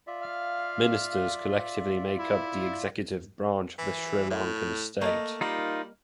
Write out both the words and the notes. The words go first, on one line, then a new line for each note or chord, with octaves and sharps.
Ministers collectively make up the executive branch of the Sri Lankan state.
F4 D5 E5
F5
E4
E3
A2
A3 A#3 D#5
G3 D#4 F4 A#4